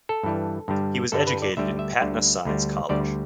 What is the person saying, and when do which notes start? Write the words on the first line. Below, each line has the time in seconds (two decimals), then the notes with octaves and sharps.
He was educated in Patna Science College.
0.09 A4
0.23 G2 E3 G3
0.68 G2 D3 G3
1.12 G2 D3 G3 A4
1.27 B4
1.42 D5
1.57 D2 D3 G3 E5
1.79 E5
2.01 D2 D3 G3
2.45 D2 D3 G3
2.89 D2 D3 G3 D5